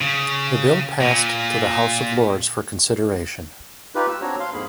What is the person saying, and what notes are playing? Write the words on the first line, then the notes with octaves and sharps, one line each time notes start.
The bill passed to the House of Lords for consideration.
C#3
A#2
D#4 F4 G4 B4
E6
C4 D4 F#4 C#5 A#5
F5 C6
F2 G#2 A#3 G#4 B5